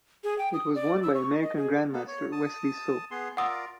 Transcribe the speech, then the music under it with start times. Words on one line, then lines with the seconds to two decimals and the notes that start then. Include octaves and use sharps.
It was won by American grandmaster Wesley So.
0.24 G#4
0.38 G5
0.53 D#6
0.75 D5
1.03 E6
1.15 C#6
1.42 D#5
1.57 G#4
1.93 A#3 B3 A4
2.07 C#5
2.32 A5 D#6
3.11 B3 G#4 C6
3.37 F4 A#4 D5 F#5 D#6 E6